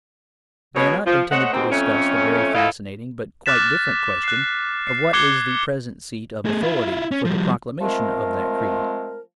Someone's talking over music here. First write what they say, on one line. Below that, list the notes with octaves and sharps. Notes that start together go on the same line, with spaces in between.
They are not intended to discuss the very fascinating but quite different question of what is the present seat of authority for the proclamation of that creed.
B2 F#3 G#3 C#5
F3
A3 C5 C#5 D#5 F#5
D#2 G#2 B2 C4
F2 A3 C#4
E4 F4 A4 A#4 D#5 F5
D6 F6 F#6 A6 B6 E7
F#6 C7
C7
D6 F#6 G#6 C7 C#7 G7
A3 G#4
E4 F4
C#4
F3 G3
F3 G#3 A3 C4 A#4